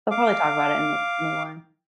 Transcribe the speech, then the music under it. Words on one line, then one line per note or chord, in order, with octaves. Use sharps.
They'll probably talk about it in this new one.
F5 D6